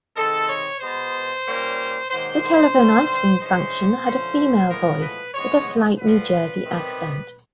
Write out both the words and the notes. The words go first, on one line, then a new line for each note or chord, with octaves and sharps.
The telephone answering function had a female voice, with a slight New Jersey accent.
C3 D#3 G#3 A4
C#5
B2 G#3 B3 C5
A#2 G3 A#3 C#4
G#2 D#3 F#3 A#3 C5
G2 D3 G3 C4
G2 E3 G#3 C#4 C5
D3 F3 A3 C#4
A2 F3 G#3 B3 A#4
B4
G#2 E3 G#3 B3 C#5
G2 D3 F3 B4
C3 D#3 G3 B3